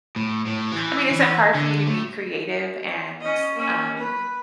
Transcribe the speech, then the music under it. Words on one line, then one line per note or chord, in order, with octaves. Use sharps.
I mean, is it hard for you to be creative and, um,
A2
A2
E3
E3
D3
A2
C#4 D#5
A#3 C#4
B4